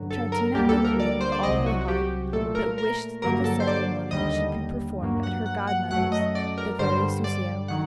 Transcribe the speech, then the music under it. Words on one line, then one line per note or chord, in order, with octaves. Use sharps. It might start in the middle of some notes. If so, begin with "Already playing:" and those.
Troutina agreed with all her heart, but wished that the ceremony should be performed at her godmother's, the fairy Soussio.
Already playing: G2 D3 F#3
A4
A#4
D2 D3 G3 A#3 G4
A4
A#4
D5
C5
D5
C2 C3 F#3 D#5
F#4
F#4
G4
A#2 A3 A4
A#4
A#4
G2 D3 F#3 A#3 A#4
A4
C5
D5
D#2 D3 G3 D#5
G2 F#3 A#3
F#5
F#5
F#5
F#2 F#3 A3 F#5
D#5
D5
A#4
G2 D3 G3 C5
D5
D#3 F#3 F#5